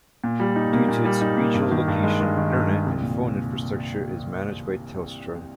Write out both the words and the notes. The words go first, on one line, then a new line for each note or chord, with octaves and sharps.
Due to its regional location, internet and phone infrastructure is managed by Telstra.
A#2
G3
D#4
A#3
A#2
G3
D#4
A#3
G2
D#3
G2
G#3
G2
D#3
G2
G#3
C2
A#2